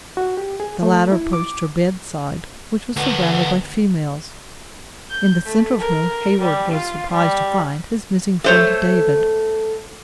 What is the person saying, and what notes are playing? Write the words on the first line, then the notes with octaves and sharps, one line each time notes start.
The latter approached her bedside, which was surrounded by females, in the center of whom Heyward was surprised to find his missing friend David.
F#4
G4
G#4
A3
E4
D6
D2 B3
G6
A3
A#4
G3
F4
G3
A3 C5 C#5